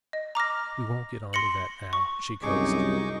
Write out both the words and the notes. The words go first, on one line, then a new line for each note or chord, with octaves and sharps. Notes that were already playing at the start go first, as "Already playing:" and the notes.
"We won't get on to that now!" she coaxed.
D#5
A#5 D6 F6 A#6
C6 A#6 C#7 F#7
C#6
C2 F#2 D#4 G#4 C#6 D6